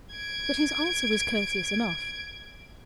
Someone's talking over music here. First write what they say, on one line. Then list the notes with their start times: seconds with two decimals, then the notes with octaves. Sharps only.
But his answer was courteous enough.
0.12 G#6 D7